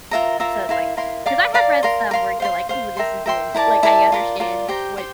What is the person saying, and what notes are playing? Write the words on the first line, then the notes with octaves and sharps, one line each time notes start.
so it's like 'cause I have read some where you're like, "Ooh, this isn't" Like, I understand what,
F4 A#4 E5 A#5
F4 A#4 E5 A#5
E4 A#4 F5 C6
E4 A#4 F5 C6
D5 F5 A#5 D6
D5 F5 A#5 D6
A#4 F5 C6
A#4 F5 C6
C5 F5 C6
C5 F5 C6
A#4 E5 G5 C6
A#4 E5 G5 C6
E4 A#4 D5 A5
E4 A#4 D5 A5
F4 A#4 D5
F4 A#4 D5
G4 C5 G5 A#5
G4 C5 G5